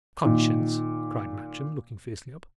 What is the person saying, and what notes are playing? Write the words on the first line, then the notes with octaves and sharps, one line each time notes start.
"Conscience!" cried Matcham, looking fiercely up.
A#2 D#3